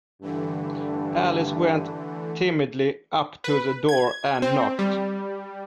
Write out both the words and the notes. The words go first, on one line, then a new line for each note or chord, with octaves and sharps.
Alice went timidly up to the door, and knocked.
G2 D3 E3 A3
B4
G#6
C4
G3